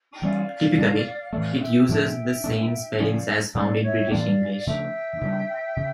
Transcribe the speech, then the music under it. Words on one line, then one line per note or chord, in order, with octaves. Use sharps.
Typically, it uses the same spellings as found in British English.
G5
E3 G3 C#4 D5 F5
C#3 G3 D4
A2 E3 A3 D5 F5
F5
E5 G5
A2 F3 A3 D4 E5 G5
A#2 A3 D4
C#3 F3 C#4 D5 F5
A#2 G3 A#3 C#4 D5 F5
C#5 E5
G5
A2 E3 A#3 D4 D5 F5
C#3 F3 A3 D4 E5 G5
C#3 G3 D4
C#3